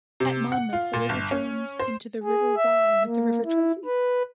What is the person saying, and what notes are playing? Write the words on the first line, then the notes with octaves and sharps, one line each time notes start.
At Monmouth the river joins into the River Wye with the River Trothy.
C3
F#5
F4
A#2
G1
C#4
C5
G#4
E5
A#3
E4
B4